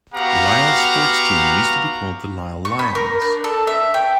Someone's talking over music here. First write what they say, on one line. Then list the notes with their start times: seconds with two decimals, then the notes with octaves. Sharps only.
Lyle sports teams used to be called the Lyle Lions.
0.14 B3 F#4 G4 F5 F#5 A#5
2.65 C#6
2.79 B5
2.95 A#4
3.22 D4
3.44 A4
3.67 E5
3.94 G5